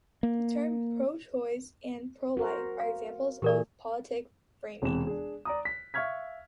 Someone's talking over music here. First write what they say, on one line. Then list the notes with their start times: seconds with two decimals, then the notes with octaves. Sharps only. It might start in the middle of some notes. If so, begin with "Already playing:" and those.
The terms "pro-choice" and "pro-life" are examples of political framing.
0.23 A#3
2.37 F#4 A#4 C5
2.80 F5
3.42 A#2 E3 G4 G#4 A#4 D5
4.82 E1 C3 E3 E7
5.07 D4 G#4
5.45 D5 A#5 D#6
5.65 B6
5.94 E5 F5 C#6 F6 G#6 B6